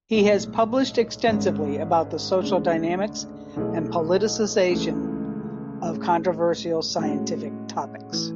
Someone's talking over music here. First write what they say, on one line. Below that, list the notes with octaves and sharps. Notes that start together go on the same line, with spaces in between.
He has published extensively about the social dynamics and politicisation of controversial scientific topics.
B1 A2 G#3
G#1 G#2 G#3 C#4
D2 C#3 G#3 D4
B1 B2 A3 E4 G#4
C#2 C#3 E3 A3
A2 G#3 C#4
A2 G#3 C#4 F#4
A2 E3